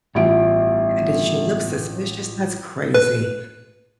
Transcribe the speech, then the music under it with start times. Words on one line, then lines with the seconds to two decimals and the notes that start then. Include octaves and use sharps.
Did she look suspicious? That's crazy.
0.15 A1 G2 B3 F4 E5 D7
2.94 B4